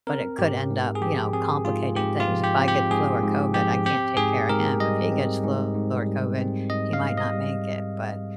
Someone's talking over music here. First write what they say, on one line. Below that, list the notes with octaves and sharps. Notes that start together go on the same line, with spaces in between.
but it could end up, you know, complicating things. If I get flu or COVID, I can't take care of him. If he gets flu or COVID, he might not make it," but
C4 A#4
G#2 G4
G#2
G#4
F3 G4
C4 G#4
G#2 F4
G#2 G4
F4
F3
G4
C4
G4
G#2 G#4
G#2
F3 G4
C4 G4
G#2 G#4
G#2 A#4
G3 D#5
C4
G#2
G#2
G3
C4
G#2 D#5
F5
G#2
D#5
G3